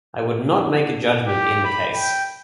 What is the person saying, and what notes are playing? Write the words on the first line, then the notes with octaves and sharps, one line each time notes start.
I would not make a judgment in the case.
G4
B5
G5